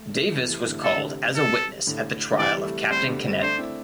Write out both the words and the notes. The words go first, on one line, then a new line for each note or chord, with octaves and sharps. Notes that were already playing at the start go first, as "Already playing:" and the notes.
Davis was called as a witness at the trial of Captain Kynette.
Already playing: A3
E3 A3
C3 E3
A2 D3
C3 A4
D3
C3
A4
A2 D3
D3
C3 E3 D5
G3
E3 A3
G3 C4 C5
D3 G3
G3 C4
A3 D4 C5
C4 E4